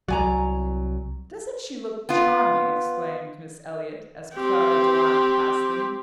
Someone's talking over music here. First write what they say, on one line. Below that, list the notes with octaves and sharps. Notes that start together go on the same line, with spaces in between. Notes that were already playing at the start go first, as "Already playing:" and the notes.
"Doesn't she look charming?" exclaimed Miss Eliot, as Clara Durrant passed them.
C2 F#3 D5 G#5 A#5
B3 F4
C4 G4